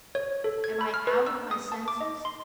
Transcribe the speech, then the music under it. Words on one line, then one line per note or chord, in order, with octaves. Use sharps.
Am I out of my senses?
C#5
A4
G#6
B5
F6
B4
E6
D#6
A5
D6
D#5
C6